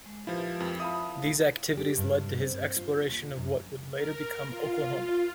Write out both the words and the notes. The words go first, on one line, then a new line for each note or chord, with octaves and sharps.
These activities led to his exploration of what would later become Oklahoma.
G#3
F3 E4 F4 G4 A#4 B4
F2
E4 E5 F5 A5 B5 D#6
G4
G2
C4
F4
D#2
F#2
A#4
F4